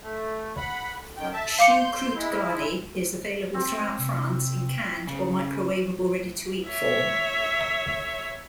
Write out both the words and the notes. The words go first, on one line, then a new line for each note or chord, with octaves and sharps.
"Choucroute garnie" is available throughout France in canned or microwavable ready-to-eat form.
A3
F#5 B5
F#2 D#3 G5
E5 A5
F5 C6 D6 G6 C#7
G#3 E4
C4 C5
C3
C#3
C#5 E5